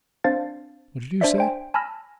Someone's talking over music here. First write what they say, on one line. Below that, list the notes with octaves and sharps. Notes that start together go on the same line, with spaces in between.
"What did you say?"
C4 D4 C5 F5 A6
D4 C5 D5 E5
C5 G5 G#5
G#5 A5 B5 E6 F6 A#6